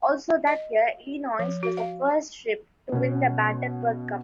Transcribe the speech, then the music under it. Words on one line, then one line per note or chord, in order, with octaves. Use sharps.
Also that year, "Illinois" was the first ship to win the Battenberg Cup.
D#5
F3
F#4
F5
B2 C#4